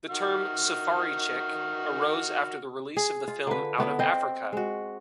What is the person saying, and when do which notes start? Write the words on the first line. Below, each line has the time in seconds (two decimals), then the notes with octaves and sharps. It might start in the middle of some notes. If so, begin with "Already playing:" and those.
The term "safari chic" arose after the release of the film "Out of Africa".
0.09 D#3 F#4 F6
2.97 G#4
3.28 F4
3.47 D3 B4
3.78 D3 B3 E4
3.99 C4 D#5
4.53 G#3 F#4